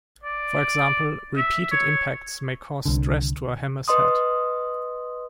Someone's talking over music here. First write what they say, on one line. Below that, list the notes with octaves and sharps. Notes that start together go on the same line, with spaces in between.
For example, repeated impacts may cause stress to a hammer's head.
D5
E5
C#5
C2 D3
B4 D#5 C6 D#6